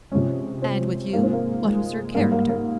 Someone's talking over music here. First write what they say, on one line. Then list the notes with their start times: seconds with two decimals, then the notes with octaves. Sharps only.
"And with you, what was her character?"
0.11 C3 F3 G#3 C#4
0.62 C4
1.13 G#2 F3 G#3 A#3
1.23 C4
1.33 A#3
1.64 G#3
2.15 G#2 G3 A#3
2.32 A#3
2.49 A#3